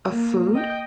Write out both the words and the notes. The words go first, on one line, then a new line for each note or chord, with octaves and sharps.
a food,
A#3
D#5 G5